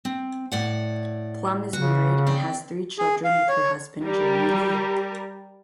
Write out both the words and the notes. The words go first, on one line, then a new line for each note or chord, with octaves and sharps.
Plumb is married and has three children with her husband, Jeremy Lee.
C4
A2 D5 F#5
C#3 F#4
C4 D5 G5
G#4
F5
C#5
G3 A#4